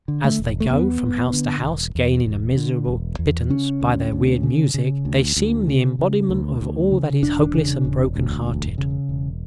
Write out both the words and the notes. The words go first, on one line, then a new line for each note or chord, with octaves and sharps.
As they go from house to house, gaining a miserable pittance by their weird music, they seem the embodiment of all that is hopeless and broken-hearted.
D3
A3
E1
A3
E2 B3
E1
D3
E1
E2
E1
D3
E1
E2
C#3 C#4
D2
D2
C#3
C#3
D2
D2
C#3
C#3
D2
D2
C#3
E1 D4
C#3
E1
D2
E1
C#3
E1